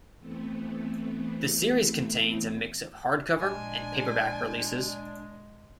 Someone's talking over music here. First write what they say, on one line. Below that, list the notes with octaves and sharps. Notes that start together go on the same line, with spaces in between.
The series contains a mix of hardcover and paperback releases.
E3 A3 B3 C4
A#1 G#3 D4 G#5